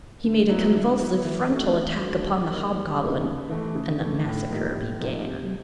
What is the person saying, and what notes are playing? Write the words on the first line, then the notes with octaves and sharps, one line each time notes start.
He made a convulsive frontal attack upon the hobgoblin--and the massacre began.
D3
F#3 B3 E4
D3
F#3 B3 E4
E3
A3 D4 F#4
E3
A3 D4 F#4
G3
A#3 D#4
G3
A#3 D#4
C#3
E3 A3
C#3
E3 A3
A2
F3 A#3 D#4 G4
A2
F3 A#3 D#4 G4
C3